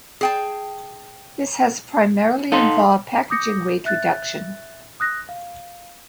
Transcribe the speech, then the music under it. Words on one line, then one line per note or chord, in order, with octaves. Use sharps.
This has primarily involved packaging weight reduction.
G#4 G5 A5
D#4 A4 F5 C6
D6 D#6 G6 A#6 C#7
E5 F#6 A6
D#6 F#6 A#6
F5